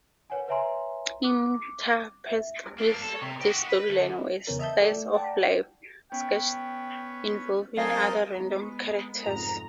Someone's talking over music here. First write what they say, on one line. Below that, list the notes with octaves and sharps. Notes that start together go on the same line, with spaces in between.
Interspersed with this storyline were "slice-of-life" sketched involving other random characters.
A#4 B4 C#5 F#5 G#5
B4 C#5 E5 G#5 A#5 C6
D6 F#6
E5
A#3 D4
A4
C3
F#4 G4
B4
D2
E2 C#3 B3 C#4 A#4
D#5 E5 A5 G6
A4 D5 G5
A3
D5 F#5 G5 A5
B3 C#4 G5
F#3 C4 A#4 D#5 F5 G#5 A5
G#3 B3 A#5
F1 G#2 F4 A#5